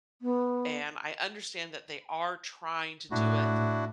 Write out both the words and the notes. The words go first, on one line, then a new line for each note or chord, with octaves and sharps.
and I understand that they are trying to do it
B3
A2 D4 E4 F#4